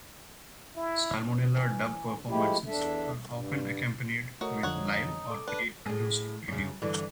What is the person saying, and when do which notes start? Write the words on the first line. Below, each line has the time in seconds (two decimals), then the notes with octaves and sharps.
Salmonella Dub performances are often accompanied with live or pre produced video.
0.76 E4
1.47 E3
2.28 F3 G#3 A3 E4 G4
2.67 E2 D4 A4 E5
3.29 G2
4.41 A3 D#4 F#4 A#4 C#5
4.63 F2 D3 F3 C#5 F#5
5.30 A4 D6
5.48 D4 B4
5.86 A2 G#4
6.48 F#2 C#3
6.82 G2 D3 E3